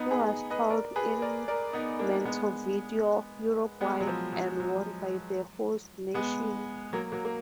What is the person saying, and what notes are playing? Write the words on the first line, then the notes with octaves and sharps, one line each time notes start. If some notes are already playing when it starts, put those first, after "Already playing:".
It was held in Montevideo, Uruguay and won by the host nation.
Already playing: B3 D#4
G#4 B4
B4 D#5
A#4 D5
G#4 B4
A#4 D5
A#4 D5
B3 D#4
A#3 D4
G#3 B3
G#3 B3
F#3
F3
F#3
F#3
G#3 B3
F#3 A#3
F#3 A#3
A#3